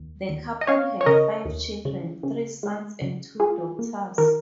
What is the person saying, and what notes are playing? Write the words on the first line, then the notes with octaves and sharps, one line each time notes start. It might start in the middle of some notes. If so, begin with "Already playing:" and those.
The couple had five children, three sons and two daughters.
Already playing: D#2
D#2
D#5
C#4 C#5 F5
C#5
C#3 A#4 D#5
D#2
C#3
C#3
G#3
C#3
F4 G#4
A#3
D#3 A#4